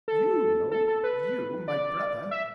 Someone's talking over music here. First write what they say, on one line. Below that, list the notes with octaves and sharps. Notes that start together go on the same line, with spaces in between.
"You know,--you, my brother."
A4
A4
A4
B4
D5
E5